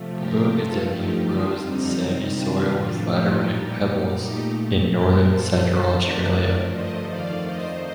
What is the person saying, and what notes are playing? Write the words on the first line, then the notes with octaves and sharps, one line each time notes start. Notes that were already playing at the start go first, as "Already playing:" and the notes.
Blue goodenia grows in sandy soil with lateritic pebbles in northern central Australia.
Already playing: C3 F3 A3
G4 A#4
G2 F3 A3 F4 A4
D#4 G4
F2 D3 G3 D4 F4
C4 D#4
C3 D#3 G3
D4 F4
A2 F3 A3
D#4 G4
A#2 G3
A#2 A3 D#4 G4
A#2 A3 G4 A#4
A4 C5
F2 D#3 A3 A4 C5
A#4 D5
G2 D3 F3 A3
C5 D#5
F2 D#3 A3 D5 F5
C5 D#5